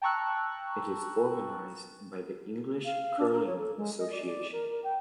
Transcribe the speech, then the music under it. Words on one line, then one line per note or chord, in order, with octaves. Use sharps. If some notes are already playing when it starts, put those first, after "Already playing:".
It is organized by the English Curling Association.
G5 A5 A#5 C#6 E6 F#6
F5
D4
A#4
C#5
A4
G#3
D#5
D5
D5
A#4
A#4
G5